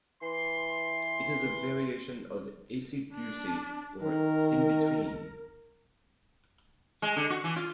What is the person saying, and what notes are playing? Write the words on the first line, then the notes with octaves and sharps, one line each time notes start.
It is a variation of acey-deucey or in-between.
E3 C6
D4
D#3 A#4
G#3
D3
F#4
E3
F4